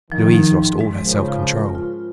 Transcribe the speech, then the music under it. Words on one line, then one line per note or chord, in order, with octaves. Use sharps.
Louise lost all her self-control.
D#3 F3
F3
G#2
G#3
C#3 F3 A#4
F4
A#4
F4